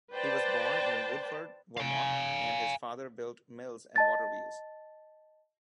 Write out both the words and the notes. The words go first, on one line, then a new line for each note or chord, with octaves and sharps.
He was born in Woodford, Vermont, and his father built mills and waterwheels.
B4 C5 D5 G5 A5
F5 G#5
D#5 A5 A6